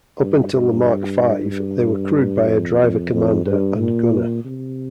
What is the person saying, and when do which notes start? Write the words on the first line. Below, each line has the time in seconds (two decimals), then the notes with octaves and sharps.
Up until the Mark V, they were crewed by a driver-commander and gunner.
0.21 G2
0.54 G2
1.51 G2
2.49 F2
2.82 F2
3.14 F2
3.46 G2
3.79 A#2
4.45 C3